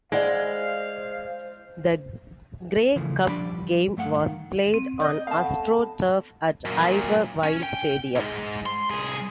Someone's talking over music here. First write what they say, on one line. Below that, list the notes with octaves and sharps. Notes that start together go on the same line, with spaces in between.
The Grey Cup game was played on astroturf at Ivor Wynne Stadium.
G#3 E4 C5 D5 F5 F#5
C#3 E3 F3 A3
F3 G3 D4 D5 B5
G2 A3 F5 F#5
D#3
C4
D5 D#5 D#6 G6
A3 B3 F5 A5
F#2 A#2
C#4
G5
B1 G#2
C6
C2 G#4